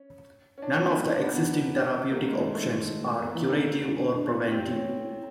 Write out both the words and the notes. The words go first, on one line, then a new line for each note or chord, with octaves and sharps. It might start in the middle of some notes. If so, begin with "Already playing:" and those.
None of the existing therapeutic options are curative or preventive.
Already playing: C#4
C#4
D4
C4
B3
A#3
A2 D#4
D4
A#2 B3
B2 B3
C3
A#3
A3
C#3
G#3
D#3 A3
G#3
D#3 A3
A#3
B3
A#3
E3
D#3
D3
D3
B2
B2
C3 C4
C#4
B2
A2
A2